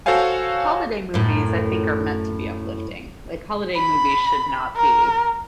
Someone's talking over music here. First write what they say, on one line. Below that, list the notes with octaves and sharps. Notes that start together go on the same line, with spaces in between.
holiday movies, I think, are meant to be uplifting. Like, holiday movies should not be
F#4 A4 C5 C#5 F5 G#5
F#2 A2
B5
A#4